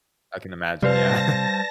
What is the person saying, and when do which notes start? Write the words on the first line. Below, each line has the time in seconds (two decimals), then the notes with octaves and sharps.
I can imagine, yeah.
0.83 C3 G3 B4 C5 D5 F5 A5 A#6